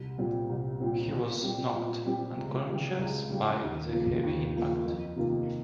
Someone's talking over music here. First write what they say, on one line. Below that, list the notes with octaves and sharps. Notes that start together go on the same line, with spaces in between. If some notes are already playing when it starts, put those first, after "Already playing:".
He was knocked unconscious by the heavy impact.
Already playing: C2
A#2 G3 C4
C2
A#2 G3 C4
A#2
G3 C4 G4
A#2
G3 C4 G4
C#2
C#3 G3
C#2
C#3 G3
D#2
C#3 F3 A#3
D#2
C#3 F3 A#3
F2
C3 D#3 A#3 F4